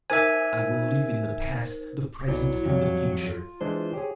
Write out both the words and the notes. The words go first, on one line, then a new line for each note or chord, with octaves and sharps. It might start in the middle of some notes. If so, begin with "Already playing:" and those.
I will live in the Past, the Present, and the Future.
D#4 A#4 C5 E5 G#5
B1 F#3 E4 D5
F2 G3 C#5
F#4
F4
E3 G#3 D4 C5
G4 G#4 C#5